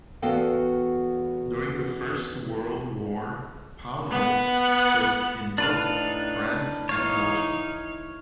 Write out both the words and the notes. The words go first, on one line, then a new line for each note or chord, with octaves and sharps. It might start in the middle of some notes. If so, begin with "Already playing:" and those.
During the First World War, Pownall served in both France and Belgium.
E2 B3 F#4 A4 F5 G5
B3 F#5
A2 D4 D#4 B4 F5
E3 D#4 C#5 F5